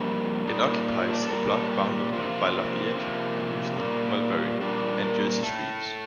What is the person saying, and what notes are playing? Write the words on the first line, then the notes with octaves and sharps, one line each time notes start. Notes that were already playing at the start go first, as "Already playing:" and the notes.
It occupies the block bounded by Lafayette, Houston, Mulberry and Jersey Streets.
Already playing: F2 G3 A#3 D4
A#2 G3 A#3 D#4
D#4
F4
D4
A4
A#2 G3 A#3 A#4
A4
G4
G4
C3 F3 A#3 F4
D#4
F4
C4
C3 F3 A#3
A#2 G3 A#3
A#2 G3 A#3 D4
A#4
A2 A3 A4